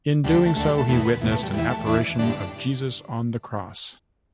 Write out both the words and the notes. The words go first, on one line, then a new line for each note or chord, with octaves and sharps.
In doing so, he witnessed an apparition of Jesus on the cross.
D2 D3 G3
G3
A3
D2 D3 A3
G3
A3
E2 B2 A3
B3
E2 B2
A3
G3
E2 E3 G3
A3
E2 E3 D4
G2 D3 D4
D4
D4